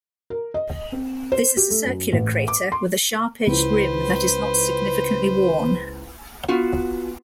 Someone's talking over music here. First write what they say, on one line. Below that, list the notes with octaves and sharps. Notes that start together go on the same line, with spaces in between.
This is a circular crater with a sharp-edged rim that is not significantly worn.
A#4
D#5
C4
C5
G4
A3
F#2
A1
D6
C6
C#2 E4 B4 C5
B3 F4 F#4